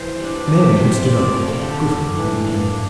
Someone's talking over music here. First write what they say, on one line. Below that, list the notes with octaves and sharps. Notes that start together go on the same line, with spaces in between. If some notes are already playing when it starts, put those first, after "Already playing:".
Mary had stood up, quivering in every limb.
Already playing: E3 C5
G3 D4
C3 D5
E5
G3 C4 C5
C5
C3 D5
A#4
F3 A3 A#4
A4
D3 G4
G3 D4
E3
A#3 D4